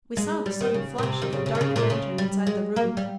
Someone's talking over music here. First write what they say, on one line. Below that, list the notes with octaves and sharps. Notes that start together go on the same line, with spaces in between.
We saw the sudden flash of a dark lantern inside the room.
G#3
G3
D#3
C#3
A#2
C3
D#3
C#3
C#3
D#3
C#3
A#2
C#3
G3
G#3
A#3
G3